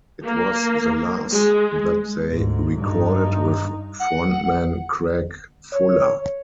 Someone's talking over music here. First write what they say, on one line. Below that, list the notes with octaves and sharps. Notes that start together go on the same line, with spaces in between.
It was the last that they recorded with frontman Craig Fuller.
A#3
G#3
D2 G#2
G2 D#4
F#5
C#5